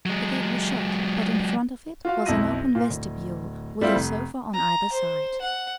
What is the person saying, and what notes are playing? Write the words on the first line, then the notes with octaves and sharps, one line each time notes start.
The gate was shut, but in front of it was an open vestibule with a sofa on either side.
F#3 G#3
F4 F#4 F5
B1 F2 E4 A#6 D#7
A#2 F4
D1
G3 A3 C4 E4 F4
F1
A#5
C5
F#5